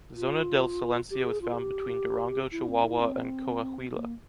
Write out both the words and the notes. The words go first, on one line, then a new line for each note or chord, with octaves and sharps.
Zona del Silencio is found between Durango, Chihuahua, and Coahuila.
F4
G4
G#4
F4
G#4
G4
E4
C4
E4
C4
A#3